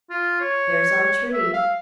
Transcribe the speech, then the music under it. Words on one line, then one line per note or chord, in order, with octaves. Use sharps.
"There's our tree."
F4
C#5
E5
F5